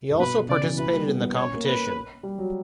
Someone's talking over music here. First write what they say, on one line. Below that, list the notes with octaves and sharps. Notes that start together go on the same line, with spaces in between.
He also participated in the competition.
G2
B2 B4
C#3 D5
E3
E3 B4
A#3
G3
B3
B3
C#5
C#4
A#3
A#3 B4
G3
F#3